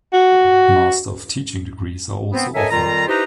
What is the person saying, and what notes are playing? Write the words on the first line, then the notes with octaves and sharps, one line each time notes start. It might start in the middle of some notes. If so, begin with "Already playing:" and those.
Master of Teaching degrees are also offered.
F#4
B3 C4
A4 A#4 C#5 D#5 E5 G#5
F2 D#3 G3 F4 A#5
D#4 E4 G4 B4 C5 A#5